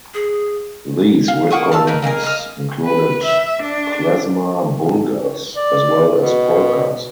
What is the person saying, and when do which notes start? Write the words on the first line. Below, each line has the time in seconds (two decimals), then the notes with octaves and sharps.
These recordings included klezmer "bulgars" as well as polkas.
0.14 G#4
1.28 F5
1.50 A#3 F#5 C#6 D#6
1.72 F5 A5 C#6 E6
1.87 D#4 A#4 B4
2.02 A#3 D#4 G#4 A#4
2.23 D#5 F5 F6
2.84 B4
3.23 E5
3.62 D4
5.55 D5
6.14 B2